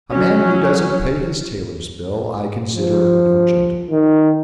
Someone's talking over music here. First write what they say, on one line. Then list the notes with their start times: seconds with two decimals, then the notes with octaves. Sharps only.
A man who doesn't pay his tailor's bill, I consider no gentleman.
0.11 F#3 C#4
2.75 F3
3.91 D#3